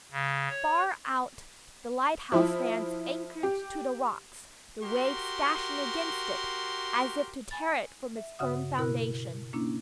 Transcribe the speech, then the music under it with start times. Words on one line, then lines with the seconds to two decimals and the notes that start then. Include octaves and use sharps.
Far out the lighthouse stands anchored to the rocks, the waves dashing against it, as if to tear it from its firm foundation.
0.12 C#3
0.49 C#5
2.32 F3 E4
3.43 G4
4.83 F#4 G4 A#4 C6
7.51 G#5 B5 A6
8.16 E5
8.39 G2 C#3 F#4 E5 F#5 D#6
8.77 B2 E4 A#4 B5 F#6
9.53 A#3 C#4 D4 E4